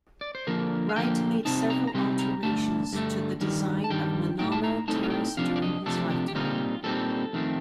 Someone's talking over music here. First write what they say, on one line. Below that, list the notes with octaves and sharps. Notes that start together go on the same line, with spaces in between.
Wright made several alterations to the design of Monona Terrace during his lifetime.
D5
C5
D3 F3 A#3 A#4
F5
D3 F3 A#3 G5
C3 G3 C4 D#4 A5
A#5
A#5
C3 G3 C4 D#4 C6
A#5
G2 D3 A3 A5
G2 D3 A3
G2 D#3 G3
A5
G2 D#3 G3 G5
A2 A3 C4 D#4 G5
A5
A#5
A2 A3 C4 D#4 A5
G5
F5
G5
F2 C3 F3 D4 F5
D5
D#5
F2 C3 F3 A3 D4 A4
G4
G4
A#2 G3 C4 D#4 F4
A#2 G3 C4 D#4 A4
F2 D#3 A3 C4